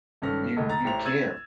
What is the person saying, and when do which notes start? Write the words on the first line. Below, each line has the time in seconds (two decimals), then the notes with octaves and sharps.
You you can't.
0.22 G#1 G2 C#4 A4 F6 A#6
0.57 E1 D3 A3 D#5
0.69 A#5 A6
0.84 A1 G4 C5 A#5 F7
1.05 E6 G#6 A6 D#7 E7 F#7